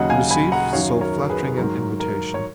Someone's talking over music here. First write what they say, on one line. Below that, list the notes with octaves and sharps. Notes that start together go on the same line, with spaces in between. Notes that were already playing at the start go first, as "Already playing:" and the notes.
To receive so flattering an invitation!
Already playing: D#2 C#3 F#3 D#5 F#5
F5 G#5
G#5 B5
F#5 A#5
F#2 D#3 F#3 C#5 F5
A#4 C#5
G#4 B4
G#2 D#3 F#3 A#4
A#4
C#5